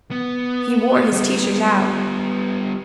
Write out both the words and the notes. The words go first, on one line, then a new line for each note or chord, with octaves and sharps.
He wore his teachers out.
B3
G3 B3